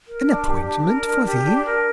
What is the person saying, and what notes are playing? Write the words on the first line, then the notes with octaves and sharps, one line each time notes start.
"An appointment? for thee!"
A#4
D4
G4
D4
A#4
D4
G4
D4
A#4